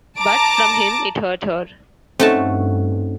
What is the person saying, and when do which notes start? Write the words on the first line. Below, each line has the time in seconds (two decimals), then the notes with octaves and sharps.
But from him it hurt her.
0.17 A5 A#5 D6
2.20 G2 A3 C4 C#4 D#4 F#4 A5